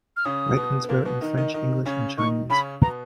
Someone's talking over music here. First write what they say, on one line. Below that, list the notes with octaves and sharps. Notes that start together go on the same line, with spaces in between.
Ryckmans wrote in French, English and Chinese.
F6
C#3 C#4 D#6
B2 B3
B3
A#2 A#3
B2 B3
D#3 D#4
D#3 D#4
D#3 D#4
C#3 C#4
D#3 D#4 C#6
C#3 C#4 B5
B2 B3 A#5